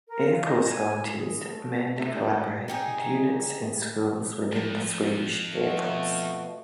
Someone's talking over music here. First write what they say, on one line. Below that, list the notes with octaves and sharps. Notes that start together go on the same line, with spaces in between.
Air Force Volunteers mainly collaborate with units and schools within the Swedish Air Force.
A#4
F4
D#5
G#5
G#4
A3
C3 A3 E5
A2 D4
D#4 G4 G#4
F2
B2 F3 A3 F#4